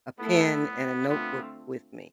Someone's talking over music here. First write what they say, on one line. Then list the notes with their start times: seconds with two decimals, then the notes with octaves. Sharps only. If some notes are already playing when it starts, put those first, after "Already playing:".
a pen and a notebook with me
0.20 A3 B3 E4 A4
1.08 D3 A3 B3 C4 F4